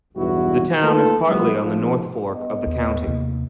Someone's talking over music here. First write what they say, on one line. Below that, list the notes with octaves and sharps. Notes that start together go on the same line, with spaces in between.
The town is partly on the North Fork of the county.
B1 E2 G2 E4 F#4
A3 A#3 D#4 F4 A4 B4
F3 G3 A3 B3 E4 G4
G#1 F3
B3 D#5
D#2
D#2 C3 A#3